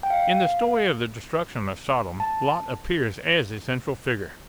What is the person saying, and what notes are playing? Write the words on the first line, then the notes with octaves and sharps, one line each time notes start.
In the story of the destruction of Sodom Lot appears as the central figure.
G5
F5
A5